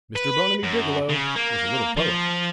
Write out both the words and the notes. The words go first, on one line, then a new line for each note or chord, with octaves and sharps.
Mr. Bonamy Biggielow was a little poet.
B4
F#2
C#3
A#3
F3